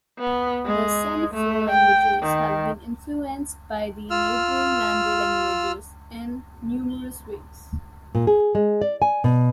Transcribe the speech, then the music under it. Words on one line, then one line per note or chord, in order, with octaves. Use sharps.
The Senufo languages have been influenced by the neighbouring Mande languages in numerous ways.
B3
G#3
A3
G5
D#3
F4 E6 F6
A#2
G#4
G#3
D5
G#5
B2